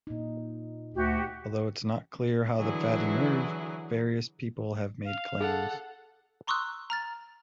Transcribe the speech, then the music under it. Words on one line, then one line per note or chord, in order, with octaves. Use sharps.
Although it's not clear how the fad emerged, various people have made claims.
A#2 D#4
D2 F#4 G4
D3 E3 F#3 E4 G#4
F5
G#4 A4 F#5
A#5 C6 C#6 D#6 E6 F#6
A#5 F6 A6